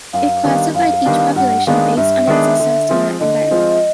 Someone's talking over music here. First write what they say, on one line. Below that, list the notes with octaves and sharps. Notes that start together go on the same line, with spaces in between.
It classified each population based on its success in that environment.
F#2 F5
D#3 G3 B3 D4
F#2 F5
D#3 G3 B3 D4
G2 F#5
D#3 G#3 B3 D4 F5
G2 E5
D#3 G#3 B3 D4
D3
F3 G#3 C4 F4
D3 D#5
F3 G#3 C4 F4